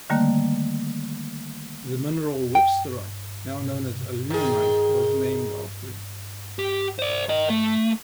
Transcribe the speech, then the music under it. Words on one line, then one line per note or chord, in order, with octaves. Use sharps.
The mineral "websterite" now known as aluminite was named after him.
D3 D#3 G3 A3 A#3
G5
D#3 G#4
G4
C5 D5
A#4 D#5
A3